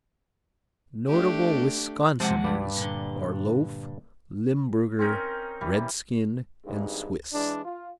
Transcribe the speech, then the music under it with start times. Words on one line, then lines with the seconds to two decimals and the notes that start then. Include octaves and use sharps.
Notable Wisconsiners are Loaf, Limburger, Redskin and Swiss.
1.08 A3 D4 G4
2.20 C3 F3 G#3 C5 F#5 A5
2.44 G2 B4 D5
2.77 A#2 D3
4.99 C4 C#4 D#4 A#4
5.61 E3 G3
6.66 G#1 G2 D#3 G#3
7.33 E3 G#3 D4
7.65 F4